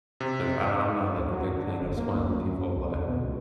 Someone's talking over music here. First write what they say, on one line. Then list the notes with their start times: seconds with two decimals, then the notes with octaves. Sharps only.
'cause I I'm not, like, a big fan of spoiling people but,
0.20 C3
1.17 D2
1.31 F#3
1.52 D3
1.81 F#1
1.97 A#3
2.15 D2
2.32 F#2
2.52 F#2
2.75 C2
2.90 D3
3.06 B2
3.25 C#2